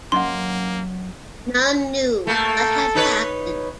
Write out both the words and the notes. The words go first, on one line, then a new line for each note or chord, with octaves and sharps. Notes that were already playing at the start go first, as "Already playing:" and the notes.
None knew what had happened.
F#3 A#3 C#4 D#5 F#5 C6
A3 A#3 A4
D#4 B4 C#5